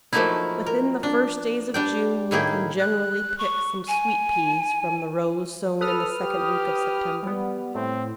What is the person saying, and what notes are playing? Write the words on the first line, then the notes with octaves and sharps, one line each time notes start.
Within the first days of June we can generally pick some Sweet Peas from the rows sown in the second week of September.
F3 F#3 A3 A#3 D#4 E4
A#4
D4
G3 D4 G5
A2 D#3 A#3 E4 G#4 G5
F#6
C#6
G#5
A4 B4 D#6 F6
G4
G3 B3
A2 C4